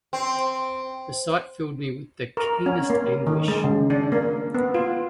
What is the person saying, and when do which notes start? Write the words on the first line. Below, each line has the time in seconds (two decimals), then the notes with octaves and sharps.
The sight filled me with the keenest anguish.
0.13 C4
2.37 A#4
2.66 C#4
2.90 A#3
3.27 D#3
3.48 G#3
3.64 C#3
3.90 D4
4.12 A#3
4.54 B3
4.74 F4